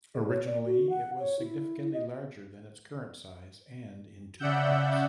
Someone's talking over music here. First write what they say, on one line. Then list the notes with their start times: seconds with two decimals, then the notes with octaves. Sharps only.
Originally it was significantly larger than its current size and in two parts.
0.15 G#4
0.28 C#5
0.46 D5
0.65 F#4
0.90 F#5
1.19 C#5
1.39 E4
1.93 D#5
4.39 C#3 D5 E5 F#5 E6 G6